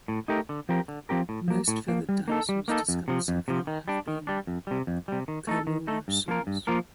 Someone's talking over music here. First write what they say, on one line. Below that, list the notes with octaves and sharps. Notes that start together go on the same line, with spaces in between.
Most feathered dinosaurs discovered so far have been coelurosaurs.
A2
A3 D#4 G4 A#4
D3
F3 C4 G4 A#4
D3
F3 C4 G4 A#4
A2
F3 A#3
A2
F3 A#3
G3
A#3 D#4 A4
G3
A#3 D#4 A4
F2
C3 F3
F2
C3 F3
D#3
G3 D4
D#3
G3 D4
F2
C3 G3
F2
C3 G3
D#3
A3 D#4 A4
D#3
A3 D#4 A4
G2
F3 A#3 F4 A#4
G2
F3 A#3 F4 A#4